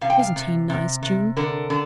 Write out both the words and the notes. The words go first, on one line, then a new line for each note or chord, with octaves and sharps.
"Isn't he nice, June?"
C3 F5
G5
F5
C3
C3
C3
D3 A#4
D3